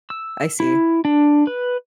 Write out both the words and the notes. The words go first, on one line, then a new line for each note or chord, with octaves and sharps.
I see.
E6
E4
D4
B4